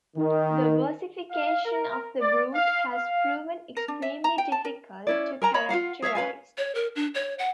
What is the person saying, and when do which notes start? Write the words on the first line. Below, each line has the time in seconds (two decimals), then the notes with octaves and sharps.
The versification of the "Brut" has proven extremely difficult to characterise.
0.16 D#3
1.31 F5
1.64 A#4
2.20 D5
2.54 F5
2.93 F5
3.77 A#4
3.88 D4
4.02 E5
4.24 A#5
4.38 G5
4.52 A5
4.65 A#4
5.07 C#4 E4 D5
5.42 A#4 G#5 A#5
5.54 C#5 D#5 B5
5.69 F4 F#4 F5 F#5
6.02 G#4 C#5 E5 F5
6.15 C#4 B4 F5 G#5
6.57 C#5
6.75 A#4
6.96 D4
7.14 C#5
7.39 F#5